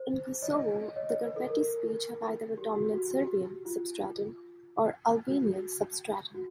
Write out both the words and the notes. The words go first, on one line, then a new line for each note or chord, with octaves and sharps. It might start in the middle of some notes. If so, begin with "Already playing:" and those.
In Kosovo, the Gurbeti speech have either a dominant Serbian substratum, or Albanian substratum.
Already playing: C5
C#5 D#5
C#5 D#5
C#5
B4
A4
A#4
G4
F#4
F#4
G4
F4
F#4
F#4